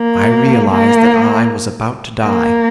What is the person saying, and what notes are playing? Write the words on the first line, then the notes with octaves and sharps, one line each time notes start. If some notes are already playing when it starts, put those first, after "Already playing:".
I realized that I was about to die . . .
Already playing: A#3
A#3
A#3